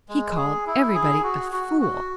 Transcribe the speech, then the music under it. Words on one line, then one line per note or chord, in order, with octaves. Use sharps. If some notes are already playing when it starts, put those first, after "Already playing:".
He called everybody a fool.
G#3
G#4
E4
G#4
F#4
F#4
F#4